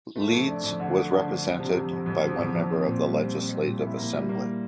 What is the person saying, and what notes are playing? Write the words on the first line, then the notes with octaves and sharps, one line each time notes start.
Leeds was represented by one member in the Legislative Assembly.
A3
F2
D4
F2
D3
A3
D3
D3
F3
C3
F2
F2
F2
F3
F2
F2
C4
A#2
G3
C4
C4
G3
A#2
E4
A#3
G3
A#3